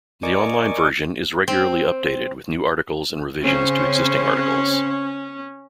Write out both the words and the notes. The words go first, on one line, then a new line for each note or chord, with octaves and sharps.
The online version is regularly updated with new articles and revisions to existing articles.
A#4 D5 D#5 G#5 C#6 D6
C4
C#3 C4 C#4 C5